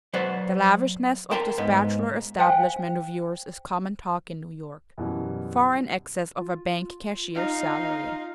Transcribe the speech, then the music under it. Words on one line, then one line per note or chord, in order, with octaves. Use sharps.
The lavishness of this bachelor establishment of yours is common talk in New York--far in excess of a bank cashier's salary.
F#3 B4 C5 D5 F#5
A#4 G5 A5 A#5 C6
G#2 B3
C5 F5 G5 G#5
F#2 B2 E3 G3
F4
D#4 F5